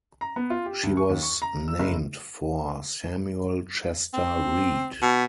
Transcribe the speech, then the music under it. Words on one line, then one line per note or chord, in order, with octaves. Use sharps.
She was named for Samuel Chester Reid.
A#5
B3
F4
G4
D2
C#6
D#2
C#6
A#5
E6
F#1
C4
B2